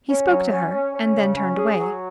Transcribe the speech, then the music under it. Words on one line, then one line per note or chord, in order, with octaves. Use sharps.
He spoke to her, and then turned away.
C#4
F#3
C#4
C#4
C#4
C#3
C#4
G#4
F#3